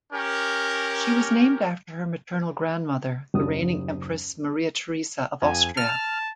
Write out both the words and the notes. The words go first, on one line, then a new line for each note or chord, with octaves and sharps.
She was named after her maternal grandmother, the reigning Empress Maria Theresa of Austria.
C#4 G4 A#4
F#1 D#2 F#3 G3 D#6
F2 G#5
A5 F6